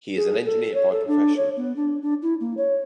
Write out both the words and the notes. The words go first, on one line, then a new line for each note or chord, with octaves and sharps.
He is an engineer by profession.
G#4
A4
C#5
A4
D4
C#5
B3
D4
D4
E4
A#3
C#5